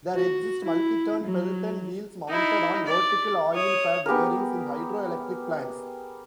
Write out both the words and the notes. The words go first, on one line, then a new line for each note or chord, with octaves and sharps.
There exist multi-ton Pelton wheels mounted on vertical oil pad bearings in hydroelectric plants.
F#4
E4
F#3
D#4 E4
D5
C#5 D#6
B3 G4 G#4 A#4